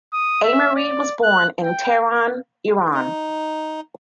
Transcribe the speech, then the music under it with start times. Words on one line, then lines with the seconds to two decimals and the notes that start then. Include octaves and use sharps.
Ameri was born in Tehran, Iran.
0.13 D#6
0.44 E5
0.76 D5
1.23 F#6
1.62 G5
2.93 D#4